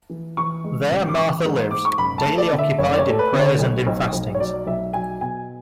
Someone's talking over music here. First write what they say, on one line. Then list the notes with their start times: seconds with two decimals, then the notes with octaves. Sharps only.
There Martha lived, daily occupied in prayers and in fastings.
0.10 E3
0.37 E3 C#6
0.64 G#3
0.91 A1
1.09 D6
1.17 E3 C#6
1.45 G#2
1.71 G#2 D6
1.85 C#6
1.98 F#1 B5
2.18 A5
2.25 A3
2.38 D5
2.53 D3
2.58 E5
2.79 F#1 C#5
2.94 D5
2.99 C#5
3.06 A3 A4
3.19 B4
3.33 D3
3.39 C#5
3.59 B1
3.87 B1
4.13 B1
4.35 C#5
4.40 F#3 D5
4.67 B1 E5
4.93 F#3 G#5
5.21 B2 G#5